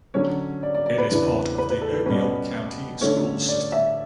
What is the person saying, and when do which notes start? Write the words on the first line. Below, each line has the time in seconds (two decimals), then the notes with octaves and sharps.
It is part of the Obion County Schools system.
0.14 D3 F#3 C#4 C#5
0.63 D5
0.74 D5
0.86 D5
0.98 B4
1.10 E2 C#3 E3 B3 D4
1.58 B4
1.70 B4
1.81 A4
1.94 A4
2.06 B2 G3 C#4 B4
3.01 D3 A3 C#4 C#5
3.49 D5
3.72 E5